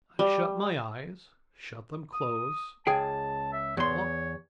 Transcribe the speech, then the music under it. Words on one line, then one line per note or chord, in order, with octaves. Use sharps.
I shut my eyes--shut them close--and lo!
G3
D#6
C#2 G#4 G5 A5
E5
E2 C#5 C6